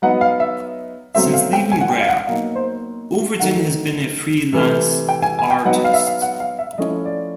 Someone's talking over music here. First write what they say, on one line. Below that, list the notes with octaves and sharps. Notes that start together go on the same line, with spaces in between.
Since leaving Rare, Overton has been a freelance artist.
F#3 B3 D#4 F#5
F5
E5
B2 F#3 A3 C4 E5
F5
G5
G#5
F#5
G5
F5
F#5
B2 F#3 A#3 D#4 F5
C5
D#3 F#3 A3 F#5
C3 E3 A3
G5
G#5
G#5
G5
F#3 B3 D#4 F#5
F5
E5
F5
F#5
F5
E5
E5
F3 A3 C#4 E4 D#5
D5